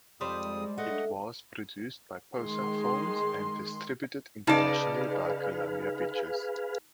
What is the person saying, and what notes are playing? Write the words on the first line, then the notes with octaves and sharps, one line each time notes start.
It was produced by Posa Films and distributed internationally by Columbia Pictures.
F2 G3 G#3 C5 D5 D#6
A3 D4 D#5 F#5
D#3 G#3 G#4 C6
C#3 D#4 G#4 B4 D5 F5 A5